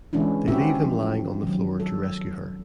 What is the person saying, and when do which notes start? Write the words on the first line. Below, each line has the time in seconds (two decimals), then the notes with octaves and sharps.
They leave him lying on the floor to rescue her.
0.13 E3 G#3 C#4 D4 E4
0.48 C4 C#4 E4 F#4 G4 E5
0.84 F3
1.43 D#3 F#3
1.80 A4